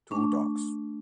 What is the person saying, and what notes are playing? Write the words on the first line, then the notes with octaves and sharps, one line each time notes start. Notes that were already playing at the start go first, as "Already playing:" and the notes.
Two dogs.
A3 D4 C#6